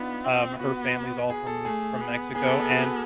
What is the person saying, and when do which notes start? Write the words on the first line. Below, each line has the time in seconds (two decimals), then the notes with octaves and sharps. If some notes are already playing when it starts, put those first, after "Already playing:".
um, her family's all from from Mexico, and
Already playing: B3 D4 D#4 F4
0.24 C4
0.59 B3 F#4
1.30 G#4
1.47 A4
1.65 A3 G#4
2.00 B3
2.35 B3 G#4
2.47 A4
2.59 G#4
2.70 F#4